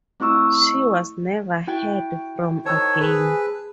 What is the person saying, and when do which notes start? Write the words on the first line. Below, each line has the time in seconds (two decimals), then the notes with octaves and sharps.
She was never heard from again.
0.20 A3 C4 E4 C#6 E6
1.67 E4 F#4 G5
2.65 D#3 C5 C#5 A5 E6
3.00 G#4 B4